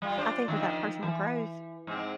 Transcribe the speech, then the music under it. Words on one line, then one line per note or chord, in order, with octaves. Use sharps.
I think with that personal growth,
G3 F4
D4 F4 C5
D#3 F3
E3
G#2 G#3 C4